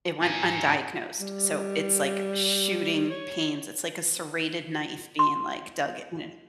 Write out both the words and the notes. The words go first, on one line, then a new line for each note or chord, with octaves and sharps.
it went undiagnosed. So it's like shooting pains. It's like a serrated knife being, like, dug in
A#4 G#5
G3
C#5
C6